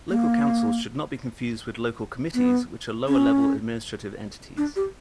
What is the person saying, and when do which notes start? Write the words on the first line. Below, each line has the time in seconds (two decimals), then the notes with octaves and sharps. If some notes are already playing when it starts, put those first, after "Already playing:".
Local councils should not be confused with local committees, which are lower-level administrative entities.
0.10 A#3
2.34 B3
3.08 C#4
4.57 D4
4.76 G4